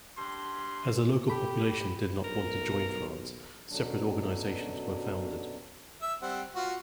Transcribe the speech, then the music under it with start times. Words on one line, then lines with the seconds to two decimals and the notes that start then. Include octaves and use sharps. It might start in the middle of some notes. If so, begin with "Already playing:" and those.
As the local population did not want to join France, separate organisations were founded.
0.17 G2 C6
1.28 G4 A4 B5
2.24 B1 A#4
3.69 F#2 B2 D3 F#3 D4
6.02 E5 E6
6.22 G3 C4 F#5
6.55 F4 F#4 F#5